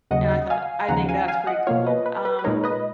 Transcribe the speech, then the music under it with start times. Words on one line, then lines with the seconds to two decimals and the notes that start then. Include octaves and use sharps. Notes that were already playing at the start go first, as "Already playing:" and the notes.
and I thought, "I think that's pretty cool." Um,
0.11 D#2 C#3 F#3 D#5 F#5
0.50 F5 G#5
0.88 D#2 C#3 F3 F#5 A#5
1.09 F5 G#5
1.28 F5 G#5
1.47 D#5 F#5
1.67 B2 A#3 F4 C#5 F5
1.86 B4 D#5
2.06 B4
2.25 B4
2.39 B4
2.44 A#2 G#3 D#4 A#4 C#5
2.64 B4 D#5